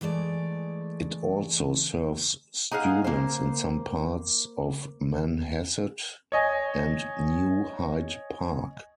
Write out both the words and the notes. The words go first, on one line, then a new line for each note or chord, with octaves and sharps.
It also serves students in some parts of Manhasset and New Hyde Park.
E3 G#3 A3 D5
D#4 G#4 F5 F#5
A#3 C5
C#5 D#5 G#5